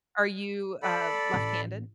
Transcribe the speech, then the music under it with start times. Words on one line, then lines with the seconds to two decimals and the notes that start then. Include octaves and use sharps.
are you, uh left-handed?
0.83 A4 D5 B5
1.34 A1